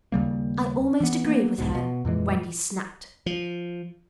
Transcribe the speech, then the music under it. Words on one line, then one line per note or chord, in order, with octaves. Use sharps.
'I almost agree with her,' Wendy snapped.
D#2 C#3 G3 A#3
E3 B3
A#3 B3
B1 E2 G#2 B2
B2
F2 A#2 E3 G#3
F3